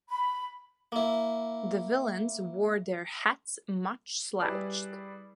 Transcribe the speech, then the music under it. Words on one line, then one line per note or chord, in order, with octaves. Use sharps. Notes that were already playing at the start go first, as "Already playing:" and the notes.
The villains wore their hats much slouched.
B5
A#3 E4
G3 E4 G#4 B4 D5